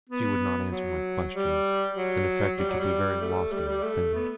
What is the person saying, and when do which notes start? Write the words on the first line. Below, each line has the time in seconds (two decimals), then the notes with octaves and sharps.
She would not answer my questions, and affected to be very lofty and offended.
0.10 B3
0.72 F#3
1.34 G3
1.96 F#3
2.58 G3
2.70 F#3
2.80 G3
3.22 A3
3.52 G3
3.68 G3
3.83 A3
4.15 B3